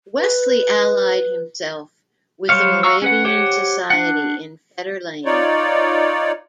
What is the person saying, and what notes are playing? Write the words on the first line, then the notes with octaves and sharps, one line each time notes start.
Wesley allied himself with the Moravian society in Fetter Lane.
B4
F#3 G3 C5 C#5 F5
F#4 F5 A#5 C#6 E6
C#4 B4 F#5
G4 C5 C#5 F#5
D4 F#5
D#4 F4 C#5 D5